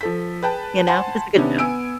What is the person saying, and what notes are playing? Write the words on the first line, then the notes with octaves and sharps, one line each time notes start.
You know, it's a good show.
F3 A4 B6
G#4 B4 G5 A5
C5 F#5 G#5 A5 B5 C6
C3 D#3 B3 C#4 D4
B3 G#5 E6 D7